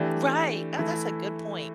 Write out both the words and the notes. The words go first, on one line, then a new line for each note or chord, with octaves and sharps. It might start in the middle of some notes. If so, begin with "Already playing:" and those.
Right, oh, that's a good point.
Already playing: E3 A3 D4 G4
E3 A3 E4